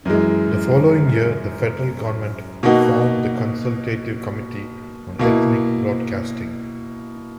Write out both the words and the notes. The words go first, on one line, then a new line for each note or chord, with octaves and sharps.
The following year, the Federal Government formed the Consultative Committee on Ethnic Broadcasting.
F#2 E3 G#3
B2 A#3 D#4 F#4
B2 A#3 E4